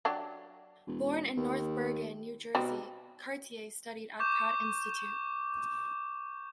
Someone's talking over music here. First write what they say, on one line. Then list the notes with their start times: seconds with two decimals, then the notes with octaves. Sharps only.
Born in North Bergen, New Jersey, Cartier studied at Pratt Institute.
0.05 F#3 D4 G4
0.87 E1
1.37 D#2
2.55 B2 G3 C4 D#4
4.20 C#6 D6 G6 E7